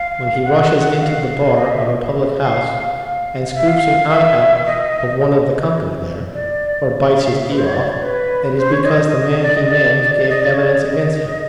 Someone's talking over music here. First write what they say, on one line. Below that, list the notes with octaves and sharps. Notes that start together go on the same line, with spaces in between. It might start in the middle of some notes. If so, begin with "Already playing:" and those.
When he rushes into the bar of a public-house and scoops an eye out of one of the company there, or bites his ear off, it is because the man he maims gave evidence against him.
Already playing: F5
F#5
F5
D#5
E5
F5
F5
E5
F5
E5
D#5
D5
E5
E5
F5
E5
B4
C5
C#5
D5
C#5
B4
C5
C#5
D#5
D5
D#5
D5
D#5
D5
C#5
D5
D#5